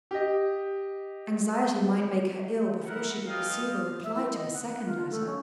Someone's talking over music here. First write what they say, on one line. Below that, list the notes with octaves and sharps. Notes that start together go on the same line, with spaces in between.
Anxiety might make her ill before she could receive a reply to a second letter.
G4 D#5
E4 A#4 F#5
B3 F4 A4 D#5 F5 G5
E5
E4
D#5
F#5
F4
A3
C#4